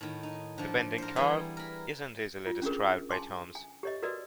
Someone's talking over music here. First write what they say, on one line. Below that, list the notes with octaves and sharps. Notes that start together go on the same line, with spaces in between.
The bending curve isn't easily described by terms.
A2 D#3
D#4
D3 F3
A#4 C5
E3 G3 B3 G#4 G#5
A#4 B5
F4
C#4 D4 G#4 A#4
G#5 A5 C6 D6
G#5
G4 C#5 D#5
F#4 A#4 B4 D5 D#5